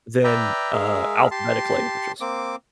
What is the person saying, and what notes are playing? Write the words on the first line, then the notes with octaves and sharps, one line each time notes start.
then, uh, alphabetic languages.
B4 D5 E5 G5 A#5
G#3 G#4 A#4 E5 F5
G4 A5 C6
A#3 C4 D6